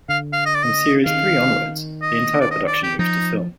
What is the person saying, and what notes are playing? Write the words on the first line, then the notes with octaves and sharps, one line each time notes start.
From series three onwards, the entire production moved to film.
D3 F5
F5
D#5
D5
D#5
D#3 F5
D#5
D5
D#5
D5
G4
F3 D#4